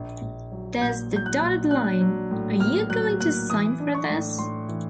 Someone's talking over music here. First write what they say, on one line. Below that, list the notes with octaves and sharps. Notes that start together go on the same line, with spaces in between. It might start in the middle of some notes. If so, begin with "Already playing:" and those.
There's the dotted line, are you going to sign for this?
Already playing: A#1
A#1
F#3
A#2 G6
F#3 G6
F#6
A#2
D4 F#6
F#3
A2
A#3 F6
F#3 F#6
A#3 F#6
E3 D#6
D4
C#6
A2
A2 C6
E3